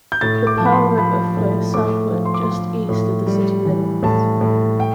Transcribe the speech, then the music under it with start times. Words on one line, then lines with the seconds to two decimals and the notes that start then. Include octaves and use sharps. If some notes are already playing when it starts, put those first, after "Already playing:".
The Pearl River flows southward just east of the city limits.
0.12 G6
0.21 A2 A6
0.47 D6
0.58 F3 A5
0.65 B5
0.72 C6
0.98 F3 B5
1.37 A2
1.74 A2 D6
2.12 F3
2.25 C6
2.34 D6
2.43 C6
2.51 F3
2.89 A2
3.26 G3
3.65 E3
4.03 A2 A5
4.41 A2
4.80 G5